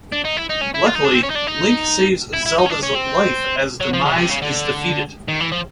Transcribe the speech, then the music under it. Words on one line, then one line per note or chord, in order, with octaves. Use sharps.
Luckily, Link saves Zelda's life as Demise is defeated.
D4
D#4
E4
D#4
C#4
E4
F4
D#4
D4
C4
C#4
D#4
D4
D#4
E4
E4
D#4
C#4
D4
C#4
C4
F#3
F3
C#3
B2
C3
C#3
D3
D#3
E3
F3